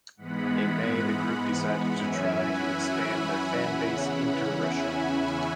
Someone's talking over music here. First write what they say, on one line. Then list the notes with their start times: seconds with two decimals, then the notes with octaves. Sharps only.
In May the group decided to try to expand their fan base into Russia.
0.17 G#2 E3 G#3 B3 F#5 B5
1.93 F#2 E3 C#4 E4 E5 G#5
2.37 F#5 B5
3.68 E2 C#3 E3 C#4 E4
4.55 E5 G#5